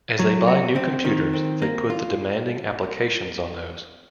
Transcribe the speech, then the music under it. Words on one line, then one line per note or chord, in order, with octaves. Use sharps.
As they buy new computers, they put the demanding applications on those.
F#3
F#4
C4
D#3
C4
A#3
F4